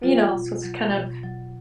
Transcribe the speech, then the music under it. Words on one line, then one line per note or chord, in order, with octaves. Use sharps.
You know, so it's kind of
F#3 F4
B2
F#3
B2
F#3